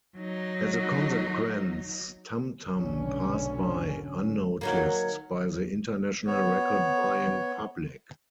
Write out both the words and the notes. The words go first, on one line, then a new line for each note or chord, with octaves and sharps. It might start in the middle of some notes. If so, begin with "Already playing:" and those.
As a consequence, "Tam-Tam" passed by unnoticed by the international record-buying public.
F#3 D#4
F1 B1 G#2 D3 C#4
D#3 F#3 A#3
B3 C#5